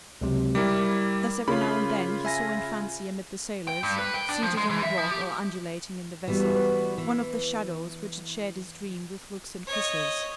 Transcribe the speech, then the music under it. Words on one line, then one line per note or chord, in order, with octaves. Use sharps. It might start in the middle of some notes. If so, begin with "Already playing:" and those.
Thus every now and then he saw in fancy amid the sailors, seated on a rock, or undulating in the vessel, one of the shadows which had shared his dream with looks and kisses.
C#2 C3 F#3
G3 E4 A#4 D6
C#3 F4 B5
E5 G#5 A#6
G5
G2
B4
G5
D4
F3
G#3
E3
E5
F3
G4
E3 G3 B3 F#4
E3
C#5 D#5